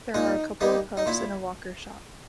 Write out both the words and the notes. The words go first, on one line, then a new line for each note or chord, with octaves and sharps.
There are a couple of pubs and a walkers' shop.
A#2 D#4
G3 A#3 D#4
D#4
A#2 E4